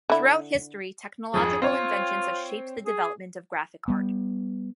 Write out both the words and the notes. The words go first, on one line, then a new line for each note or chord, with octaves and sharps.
Throughout history, technological inventions have shaped the development of graphic art.
D3 E4
G#1 F2 F3 G#4
C4 F4 C#5
G#4
G3 B3